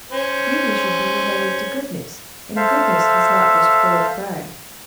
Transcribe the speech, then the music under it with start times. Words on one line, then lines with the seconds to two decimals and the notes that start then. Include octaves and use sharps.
Beauty should be united to goodness, and goodness has not this cruel pride.
0.12 C#4 C5
2.56 A4 C5 E5 F5